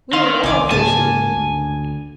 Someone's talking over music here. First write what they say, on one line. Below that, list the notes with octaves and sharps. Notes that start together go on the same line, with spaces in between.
"We were all thirsty."
D#3 F5 C6 F6
C2 G#5 D6
G#2 C#3 A#3 G#5 A5
D2